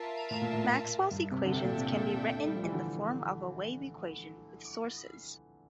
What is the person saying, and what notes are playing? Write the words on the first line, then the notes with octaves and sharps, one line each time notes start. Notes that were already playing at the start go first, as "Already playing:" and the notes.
Maxwell's equations can be written in the form of a wave equation with sources.
Already playing: F4 A#4 E5 A5
A2
A#2
A2
G2
C3
D3
C3 D4 A4 E5 G5
A#2
C3
A#2
C3
A3
G3
F3
E3
D3